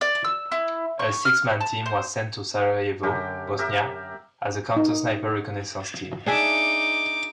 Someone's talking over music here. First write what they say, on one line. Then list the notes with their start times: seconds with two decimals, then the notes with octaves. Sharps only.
A six-man team was sent to Sarajevo, Bosnia as a counter-sniper reconnaissance team.
0.01 D5
0.24 E6
0.52 E4
0.99 C#6
1.25 F6
1.60 A5
1.86 C5
3.03 F#2 D3 G4 A#4
3.58 G4 A#4 E5
4.77 D#4
6.26 D4 D#4 G#4 E5 D6